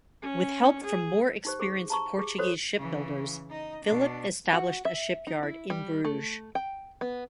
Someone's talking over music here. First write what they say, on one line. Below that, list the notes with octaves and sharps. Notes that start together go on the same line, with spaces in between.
With help from more experienced Portuguese shipbuilders, Philip established a shipyard in Bruges.
C#4
G#4
D#4 G4 C5
G4 G#4
A5 A#5 C#6
G4 G#4
F#4 A4 C5 C#5
C#3 E3
D#4 D#5
B2 D4
F#4
E5
D#4
E4
G3
A3
G5
B3